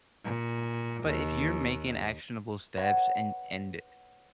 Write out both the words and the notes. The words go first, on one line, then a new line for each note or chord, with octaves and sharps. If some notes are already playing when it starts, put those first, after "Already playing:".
but if you're making actionable steps and and
A#2
D#2
B4 C#5 F#5 A5 G#6